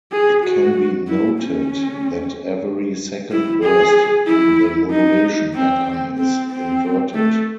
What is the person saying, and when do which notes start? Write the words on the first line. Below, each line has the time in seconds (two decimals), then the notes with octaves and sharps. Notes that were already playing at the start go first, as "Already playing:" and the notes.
It can be noted that every second burst in the modulation pattern is inverted.
0.12 G#4
0.43 F#4
1.08 E4
1.40 C#4
3.31 E4
3.64 G#4
4.27 E4
4.91 D#4
5.54 C4
6.19 C4
6.51 C4
7.14 A3